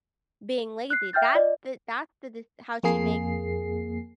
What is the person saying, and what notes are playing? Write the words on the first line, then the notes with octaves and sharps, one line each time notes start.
being lazy, that's the that's the de how she makes
F#6 C7
E5 G5 F6 G6 A6
F4 D5 D#5
F2 A#3 G#4 C7